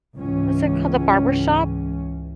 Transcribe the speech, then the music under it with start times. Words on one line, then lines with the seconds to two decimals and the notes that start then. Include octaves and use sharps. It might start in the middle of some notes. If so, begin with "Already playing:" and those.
what's it called, The Barbershop?
0.17 C#2 G#2 E3 C#4